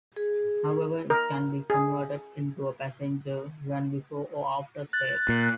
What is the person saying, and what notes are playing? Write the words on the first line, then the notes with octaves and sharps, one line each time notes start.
However, it can be converted into a passenger van before or after sale.
G#4
A#4
G#4
F#6 A6
A#2